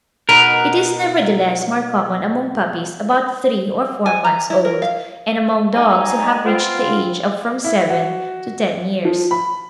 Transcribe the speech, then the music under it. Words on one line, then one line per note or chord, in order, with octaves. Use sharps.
It is, nevertheless, more common among puppies about three or four months old, and among dogs who have reached the age of from seven to ten years.
B2 D#4 A#4 B4
G#5
A#5
E4
A#4
F5
G3 D#4 G#5 A#5
B3 C4 F4
E4
F#4
F3
B5